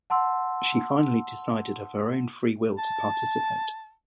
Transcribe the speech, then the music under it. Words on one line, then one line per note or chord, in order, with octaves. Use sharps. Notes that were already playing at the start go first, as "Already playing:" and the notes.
She finally decided of her own free will to participate.
F#5 A5 C6 E6
A5